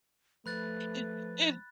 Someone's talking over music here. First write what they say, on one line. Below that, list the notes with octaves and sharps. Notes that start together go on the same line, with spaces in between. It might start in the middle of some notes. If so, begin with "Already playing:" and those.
It it
F3 A3 B4 B5 F#6 A6